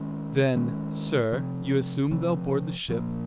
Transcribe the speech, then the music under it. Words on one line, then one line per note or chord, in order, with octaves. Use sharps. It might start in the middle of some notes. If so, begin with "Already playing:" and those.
"Then, sir, you assume they'll board the ship?"
Already playing: D#3 G#3 C#4
D#3 G#3 C#4
C3 F3 C4
C3 F3 C4
A#2 F3 A#3